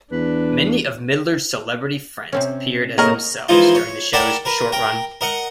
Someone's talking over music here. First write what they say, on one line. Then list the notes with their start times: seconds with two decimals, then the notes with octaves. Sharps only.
Many of Midler's celebrity friends appeared as themselves during the show's short run.
0.12 E2 D4 B4
2.32 C3 C4 C#4
2.98 A2 A#3 G#4 A#4 D#5 A#5 C#6
3.49 E3 F3 G#3 D#4 F4
3.75 C#5
4.13 A#4 D5 F#5 G5 A5 B5
4.45 A#4 B4
4.72 A#4 G5
5.21 A#4 D#5 F#5